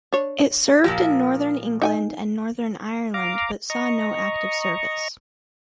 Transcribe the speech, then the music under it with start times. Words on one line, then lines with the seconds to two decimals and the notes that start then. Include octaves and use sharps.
It served in Northern England and Northern Ireland but saw no active service.
0.13 D4 C#5
0.84 A#2 F3 A#3 G4
1.82 D#4 G5 G#5
3.14 F5 A#5 D6
3.70 D#5 A#5 C#6